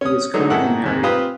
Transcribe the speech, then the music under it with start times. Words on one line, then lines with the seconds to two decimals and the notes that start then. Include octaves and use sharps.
He is currently married.
0.01 C#4 D#6
0.34 D3 F#3 G#3 A3 D#4
0.50 G#2 D#3 E4 A4 F#5
0.84 D#2 G#2 C3
1.03 C4 F4 G4 B4 D#6